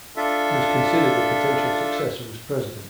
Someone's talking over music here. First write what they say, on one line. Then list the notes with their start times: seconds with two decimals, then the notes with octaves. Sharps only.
He was considered a potential successor as President.
0.17 D4 F4 A4 E5